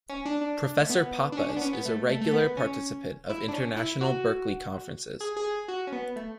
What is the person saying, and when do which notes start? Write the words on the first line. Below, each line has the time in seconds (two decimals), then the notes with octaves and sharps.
Professor Pappas is a regular participant of International Berkeley Conferences.
0.09 C#4
0.25 D4
0.41 D4
0.81 A3
0.90 B3
1.32 D4
1.37 C#4
1.49 D4
1.56 B3
1.61 C#4
1.73 B3
1.85 A3
2.10 A3
2.21 A3
2.33 B3
2.57 C#4
3.29 E4
3.48 D4
3.53 C#4
3.77 E4
4.01 F#4
5.20 G#4
5.37 G#4
5.68 F#4
5.87 C#4
5.92 B3
6.16 A3